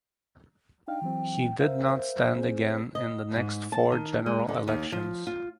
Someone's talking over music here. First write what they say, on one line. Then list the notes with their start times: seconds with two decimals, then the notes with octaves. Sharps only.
He did not stand again in the next four general elections.
0.88 D4 D#4 F5 G5
1.02 E3 F#3 C4
1.60 A#4 C5 E5 F5
2.38 C4 G#4
2.95 D#5
3.36 G#2
3.72 A5
3.92 D#3
4.26 G#3
4.48 D3
4.68 D#2
4.92 F3
5.27 F4